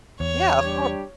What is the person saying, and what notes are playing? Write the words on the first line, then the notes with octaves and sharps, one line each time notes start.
Yeah, of course.
E2 C#5
G3 D4 G4